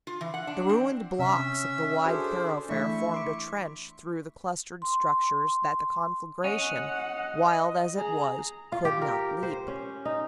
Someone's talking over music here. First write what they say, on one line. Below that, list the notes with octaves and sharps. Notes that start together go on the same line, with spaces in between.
The ruined blocks of the wide thoroughfare formed a trench through the clustered structures that the conflagration, wild as it was, could not leap.
F4
E3
F#5
D4
C4
C3 C#4 E5 E6
D4 F#4 G#4 A4 C5
E3 A3 D4 E4 E5 C#6
C6 D6
C6
C#4 D#5 F#5
G#4 A#5
F4
G4
A#4
C5
C#4
D#4